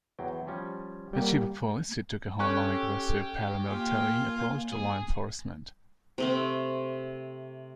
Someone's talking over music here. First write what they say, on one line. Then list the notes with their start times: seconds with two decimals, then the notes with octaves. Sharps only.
As chief of police, he took a hardline, aggressive, paramilitary approach to law enforcement.
0.19 E2 F#3 G5
0.47 F3 G3 C#4
1.13 G3 A#3 G4 F#5 G5
2.39 C#4 G4 A4 C#6 F#6
3.66 A#3 F4 G#5
4.72 G#4
6.18 C3 A3 C4